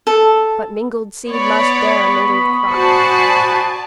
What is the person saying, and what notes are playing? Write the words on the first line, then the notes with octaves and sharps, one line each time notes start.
But mingled seed must bear a mingled crop.
A4
B3 C#5 D5 B5 C#6 D#6
F#4 C5 D5 G#5 A5